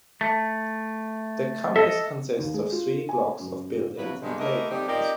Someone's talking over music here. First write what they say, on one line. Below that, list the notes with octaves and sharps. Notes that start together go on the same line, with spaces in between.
The campus consists of three blocks of buildings and playgrounds.
A3
A4 D#5 E5
D#2
G#3
F4
G#5
F#2
A#2
G2 C3 F3 F#3 E4 B4
G2 D3 G#3
E3 A3 G4 A#4 D#5 E5
D3 G3 C4 D#4 G4
C4 D#4 F4 G4 A#4 D5